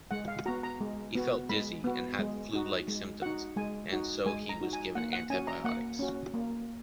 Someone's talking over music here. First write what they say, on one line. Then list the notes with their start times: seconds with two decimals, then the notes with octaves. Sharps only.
He felt dizzy and had flu-like symptoms, and so he was given antibiotics.
0.11 G#3 F#5
0.28 F5
0.46 B3 F#4 A#5
0.63 A#5
0.80 G#3
1.15 B3 F#4
1.49 G#3 B5
1.84 B3 F#4
2.19 G#3
2.53 D#4 F#4
2.88 G#3
3.22 D#4 F#4 F#5
3.57 G#3 G#5
3.92 D#4 F#4
4.26 G#3 G#5
4.49 A#5
4.61 D#4 F#4
4.73 G#5
4.95 A#3 F#5
5.13 F#5
5.30 C#4 F#4 G#5
5.47 A#5
5.65 A#3 F#5
5.99 C#4 F#4
6.34 A#3